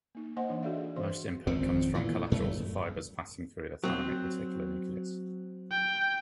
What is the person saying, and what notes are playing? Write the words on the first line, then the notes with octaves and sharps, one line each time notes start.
Most input comes from collaterals of fibers passing through the thalamic reticular nucleus.
A#3 D#4
A#3 C5 D#5 F#5 C6
E3 D4 C#5
F#4 A4 D5 E5 F5
G#4
E3 C5 C6
G#1 F2 C#3 C4
A#2 E3 A3
F#2 A3
F#3 C4
G5